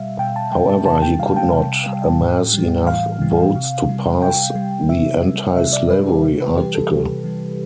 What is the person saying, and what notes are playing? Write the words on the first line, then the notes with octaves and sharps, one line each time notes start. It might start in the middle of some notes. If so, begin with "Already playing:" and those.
However he could not amass enough votes to pass the anti-slavery article.
Already playing: B2 G3 E5 F5
B2 G5
A5
G3 G5
A5
C3 A5
G5
G3 F5
G5
C3
G3
A2
E3 G3
A2 F5
E3 G3
C3
G3
C3 G5
G3
C3 E5
G3
C3 E5
D5
G3 B4
G4
C3
B4
E3 G3 G4
A4
C3
E3 G3